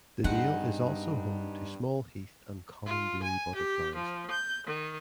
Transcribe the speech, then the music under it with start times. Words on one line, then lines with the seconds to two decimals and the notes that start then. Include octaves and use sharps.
The dale is also home to small heath and common blue butterflies.
0.24 G2 B3 C4 D#4 G#4 F#5
2.85 F4
3.23 G#5
3.55 G4
3.95 F3
4.30 G6
4.67 D#3